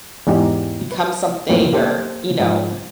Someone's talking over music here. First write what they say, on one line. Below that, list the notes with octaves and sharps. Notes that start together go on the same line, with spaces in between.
become something or, you know.
E2 G#2 D#4 G4
B4
F2 A2 F#3 A#3 F4 C5
A#3 G4 A4 C5
G#2 F3